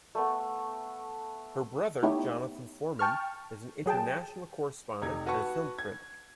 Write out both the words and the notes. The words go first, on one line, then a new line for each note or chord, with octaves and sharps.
Her brother, Jonathan Foreman, is an international correspondent and film critic.
A3 B3
A3 B3 D#4 E4 G4 C#5
G5 A5 C#6 F6
F#3 G#4 G5 A5
F1 D#4 G4 G#6
F#4 B4 F#5 A5 C#6
G#6